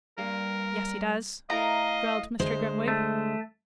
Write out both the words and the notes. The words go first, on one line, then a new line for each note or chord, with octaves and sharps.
'Yes, he does,' growled Mr. Grimwig.
G2 A#3 A#4
A3 E4 A#4 D#5 F5 A#5
D2 G#3 C5
A3